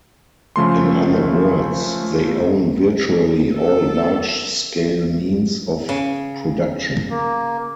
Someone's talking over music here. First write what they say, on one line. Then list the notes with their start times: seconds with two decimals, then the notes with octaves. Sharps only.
In other words, they own virtually all large-scale means of production.
0.56 C#3 F3 A3 C6
3.54 A4
5.89 C#3
7.10 A#3